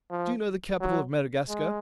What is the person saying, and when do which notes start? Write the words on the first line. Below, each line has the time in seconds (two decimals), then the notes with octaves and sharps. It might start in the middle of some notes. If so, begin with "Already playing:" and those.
Do you know the capital of Madagascar?'
0.11 F3
0.80 F#3
1.49 G#3